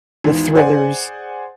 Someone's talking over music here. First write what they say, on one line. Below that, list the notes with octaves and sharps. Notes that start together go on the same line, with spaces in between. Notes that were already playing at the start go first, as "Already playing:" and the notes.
the thrillers,
G#1 E2 G#2
G#4 C5 D5 F#5 G#5